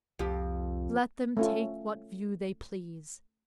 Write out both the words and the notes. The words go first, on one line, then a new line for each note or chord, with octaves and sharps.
Let them take what view they please.
C2 F2 G4
A3 C#4 F4